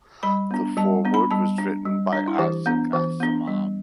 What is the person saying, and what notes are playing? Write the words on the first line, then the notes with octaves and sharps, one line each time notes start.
The foreword was written by Isaac Asimov.
G3 B5
B3 D4
G3 A5
B3 D4
B5
G3 A5
D4
G3
D4
E4
E3 G4
B3 D4
E3
B3 D4
G3